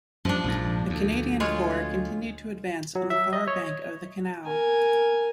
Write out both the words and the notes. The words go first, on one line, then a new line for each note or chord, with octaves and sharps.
The Canadian Corps continued to advance on the far bank of the canal.
F#2 F3 G3 D4
A#1 G#2
D2
G#3 F4 C#5
F#3
E5
D#5
C#5
A#4 G#5